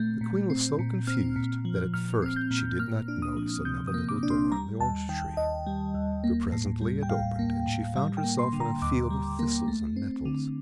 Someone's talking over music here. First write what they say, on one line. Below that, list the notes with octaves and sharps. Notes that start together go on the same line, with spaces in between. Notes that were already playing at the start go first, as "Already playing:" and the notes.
The Queen was so confused that at first she did not notice another little door in the orange tree, but presently it opened and she found herself in a field of thistles and nettles.
Already playing: A#2 A3 C4 G6
A#2
C4
A#2
C4 F6
A#2
F3
A#2 F6
C4 F6
G6
A#2
A#3 F6
D4
D#6
F3
C3 G6
D#6
A#3
D6
D4
C6
G3 A#5
D#2 A5
D#3 G5
D#2 D#5
G3
D#2
A#3
A2
G3
G5
A2 F5
A#3
A2
G3 F5
G5
A#3
C6
D3
A#5
D#2 D6
G3
A#3
A3
C4
D3